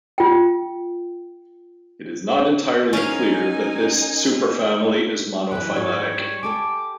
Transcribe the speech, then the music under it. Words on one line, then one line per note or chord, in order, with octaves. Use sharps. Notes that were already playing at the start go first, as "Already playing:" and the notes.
It is not entirely clear that this superfamily is monophyletic.
F4 G5
C#4 D#4 A#4 F5 G#5
F#2 E3 B4
G#2 G3 C#5
G4 A4 G#5 D6